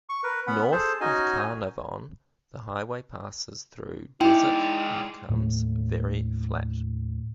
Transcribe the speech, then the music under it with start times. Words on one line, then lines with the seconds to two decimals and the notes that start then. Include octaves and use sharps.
North of Carnarvon, the highway passes through desert and becomes very flat.
0.09 C#6
0.24 A#4 B4
0.47 B3 C#4 F#5 B5
0.72 G#4 A4 C5 A5
1.01 C#4 D#4 F#4 D#5 G#5
4.21 G#3 D#4 E4 D5 G5
5.29 D#2 A2 A3 A#3